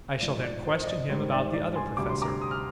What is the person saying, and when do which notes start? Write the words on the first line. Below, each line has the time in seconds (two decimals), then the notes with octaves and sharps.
I shall then question him about the Other Professor.
0.21 G#2 F3 G#3 D5
0.44 D5
0.65 C5
0.83 D#5
0.87 D5
1.09 G#2 D#3 G3 C5
1.32 D5
1.53 D5
1.76 G#5 C6
1.97 D2 C3 G3 D6
2.09 C6
2.22 A#5 D6
2.42 D#6
2.51 F6